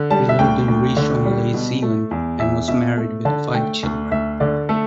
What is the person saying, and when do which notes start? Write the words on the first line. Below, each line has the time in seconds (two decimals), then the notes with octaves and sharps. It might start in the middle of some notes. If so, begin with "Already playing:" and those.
He lived in Rishon LeZion and was married with five children.
Already playing: D3
0.10 G3 A5
0.29 E5
0.39 D2 G5
0.68 D2
0.97 D3
1.25 G3
1.54 B2
1.82 A3
2.11 E2
2.39 E2 E5
2.68 B2 E5
2.98 A3
3.25 D3 A5
3.54 A3 G5
3.83 D2
4.11 D2 E5
4.40 D3 D5
4.69 A3 A4